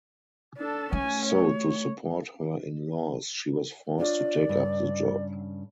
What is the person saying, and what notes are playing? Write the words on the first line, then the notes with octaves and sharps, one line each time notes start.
So to support her in laws she was forced to take up the job.
D4 A4
A3 C#4 G#5
C#5
D4 F4 C#5 D5
G2 C#3